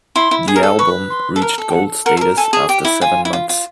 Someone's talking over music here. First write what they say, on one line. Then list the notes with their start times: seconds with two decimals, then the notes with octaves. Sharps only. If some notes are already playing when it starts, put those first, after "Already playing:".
The album reached Gold status after seven months.
0.15 E4 C6
0.31 E4
0.48 G#4
0.56 A#4
0.63 A4
0.79 B4 C#6
1.10 C6
1.36 A4
1.42 A#4
1.58 A4
1.70 G5
1.74 F#5
2.05 A#4 F#5
2.17 A4
2.21 A#4
2.37 A4 G#5
2.53 G#4 A5
2.69 G4 G5
2.85 E4
3.01 F4 G#5
3.25 E4
3.33 F4
3.49 F4